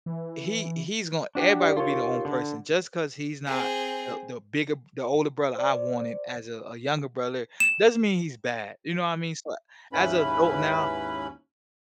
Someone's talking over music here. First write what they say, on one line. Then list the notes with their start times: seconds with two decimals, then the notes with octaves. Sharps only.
he he's gonna everybody gonna be their own person. Just 'cause he's not the the bigger the older brother I wanted as a a younger brother, doesn't mean he's bad. You know what I mean? So as a adult now
0.06 E3
1.35 D4 F#4 G4
1.60 G3
1.77 D#2 F4 C#5
2.25 D3
3.46 C4 G#4
5.55 C5 D5
7.60 E7
9.93 D#2 G#2 C#4 E4 B4 B5